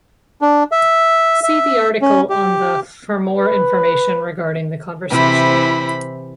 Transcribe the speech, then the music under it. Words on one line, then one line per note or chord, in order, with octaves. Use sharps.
See the article on the for more information regarding the conversion.
D4
E5
E5
C#4
G4
B4
C3 E3 E4 C5 B5